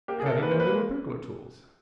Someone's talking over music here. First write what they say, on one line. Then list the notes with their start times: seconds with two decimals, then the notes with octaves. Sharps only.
"How do you know they were burglar tools?"
0.08 A#3 G4
0.20 G#4
0.23 A#3 A4
0.31 A#4
0.39 A#3 B4
0.51 A#3 C5
0.60 B4
0.69 A#3